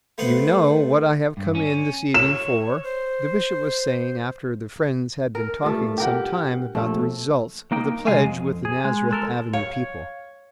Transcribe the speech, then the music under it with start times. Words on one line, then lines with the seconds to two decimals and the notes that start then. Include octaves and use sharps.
"You know what I have come in this evening for?" the Bishop was saying after the friends had been talking some time about the results of the pledge with the Nazareth Avenue people.
0.18 A3 B3 C5 F#5
1.37 G2
1.55 C#4
2.14 C#5 E7
2.84 C5
5.35 A#4
5.62 G2 A#2 A3
5.98 G4 A#4 F#5 G5
6.75 A#1 A3
7.72 A#3 D#4 G5
8.07 B1 C3 G#3 F5 G#5
8.24 F2
8.65 G#4
8.85 G#3
9.11 G#3 A4 A#4
9.53 C#5 F5